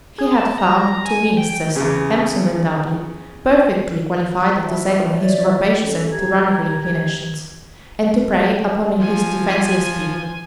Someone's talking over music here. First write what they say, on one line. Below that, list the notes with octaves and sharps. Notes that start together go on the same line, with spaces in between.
He had found two ministers Empson and Dudley, perfectly qualified to second his rapacious and tyrannical inclinations, and to prey upon his defenceless people.
G#4
A5
A#5
G#5
G5
E2 C#3
E4 F#4 E5 A5
C#5 D5 E5
C#4 A4 C#5
G4 A#5 G#6
F3 G#5